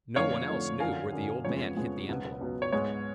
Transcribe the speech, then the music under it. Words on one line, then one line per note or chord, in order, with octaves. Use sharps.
No one else knew where the old man hid the envelope.
F2 D3 F3 A3 C#5 F5
F2 D3 F3 A3
F#2 D3 F#3 F5 G#5
F#2 D3 F#3
F2 C#3 F3 G#3 B3 C#5
F2 C#3 F3 G#3 B3
C#2 B2 F#3 B3
C#2 B2 F#3 B3
C#5
G#2 G#3 B3 C#5